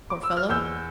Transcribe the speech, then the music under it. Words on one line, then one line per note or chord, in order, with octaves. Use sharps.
Poor fellow!
D6
E6
F6
E2 E6 G6